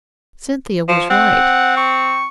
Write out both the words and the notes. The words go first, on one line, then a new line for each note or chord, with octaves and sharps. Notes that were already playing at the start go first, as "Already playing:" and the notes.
Cynthia was right.
F3
C4 F#5
C#6